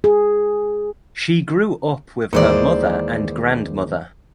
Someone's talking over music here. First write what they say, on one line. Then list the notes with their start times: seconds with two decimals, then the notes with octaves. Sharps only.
She grew up with her mother and grandmother.
0.04 G#4
2.33 D#2 D#3 E3 G#3 C5 D5